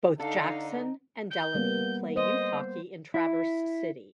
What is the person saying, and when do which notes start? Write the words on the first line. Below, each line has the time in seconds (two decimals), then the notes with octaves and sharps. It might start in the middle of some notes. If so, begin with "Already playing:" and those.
Both Jakson and Delaney play youth hockey in Traverse City.
0.19 D3 D#4 A4 F5
1.30 G6
1.55 G3 A#3 B3
2.16 C5 D#5
3.14 E4